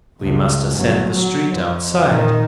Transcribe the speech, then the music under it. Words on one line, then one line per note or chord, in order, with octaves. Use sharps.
We must ascend the street outside.
C#2
G1 F#3
F#3
F2
A#2 D#3